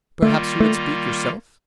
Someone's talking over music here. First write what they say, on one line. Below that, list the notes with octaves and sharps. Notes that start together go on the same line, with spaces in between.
'Perhaps you would speak yourself?'
D#3 G3 A3 A#3 F4
A3